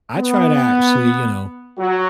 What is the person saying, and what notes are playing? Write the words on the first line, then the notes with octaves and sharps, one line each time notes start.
I try to actually, you know,
B3
F#3 F#4